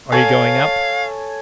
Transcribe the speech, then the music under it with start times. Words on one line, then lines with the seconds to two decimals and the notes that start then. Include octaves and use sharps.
"Are you going up?"
0.12 A4 C#5 F5 G#5